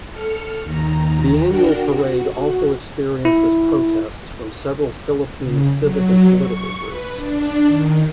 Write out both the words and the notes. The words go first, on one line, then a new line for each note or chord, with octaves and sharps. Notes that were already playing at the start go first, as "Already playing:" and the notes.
The annual parade also experiences protests from several Philippine civic and political groups.
A4 F6 C#7
D#2 D#3 A#5
D4 F#4 A#4 F#5 G5
F#4
E4
C#3
F#3
C#6
B4
D4
D#3